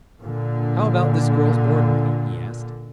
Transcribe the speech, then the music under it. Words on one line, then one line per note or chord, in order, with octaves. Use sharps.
"How about this girl's board money?" he asked.
A#2 D3